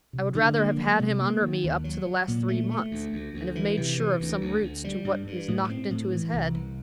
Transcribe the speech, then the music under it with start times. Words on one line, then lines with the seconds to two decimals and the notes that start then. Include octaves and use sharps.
I would rather have had him under me up to the last three months, and have made sure of some roots to what is knocked into his head.
0.13 C3
0.35 D3
0.57 A#3
0.78 F#3
0.99 C3
1.20 A#3
1.42 D#3
1.64 D#2
1.84 F#3
2.06 F#3
2.28 A#2
2.48 A3
2.71 A3
2.91 D2
3.13 D2
3.34 D2
3.55 E3
3.77 C3
3.98 E3
4.20 D2
4.41 D2
4.62 D2
4.84 G3
5.05 G2
5.27 G2
5.48 A2
5.70 C4
5.91 A2
6.12 E3
6.33 C2
6.55 C2